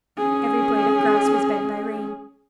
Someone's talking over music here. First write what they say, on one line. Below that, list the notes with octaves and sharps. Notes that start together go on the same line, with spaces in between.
Every blade of grass was bent by rain.
C#4 G#4